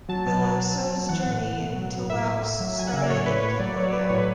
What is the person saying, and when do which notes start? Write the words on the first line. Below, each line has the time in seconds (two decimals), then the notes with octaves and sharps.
Veloso's journey to Laos started in Cambodia.
0.09 F#3 A5
0.26 B2
0.42 F#3
0.59 F#3
0.75 F#3
0.93 F#3
1.09 E3 F#5
1.26 A2
1.43 A2
1.60 B2
1.76 F#3
1.93 F#3
2.10 A2 E5
2.26 A2
2.43 A2
2.60 F#3
2.77 F#3 G#5
2.87 F#5
2.93 C#3 E5
3.02 D5
3.10 A2 C#5
3.26 A2 B4
3.43 A2 C#5
3.59 F#3 D5
3.76 F#3 C#5
3.93 F#3 B4
4.09 A2 C#5
4.18 B4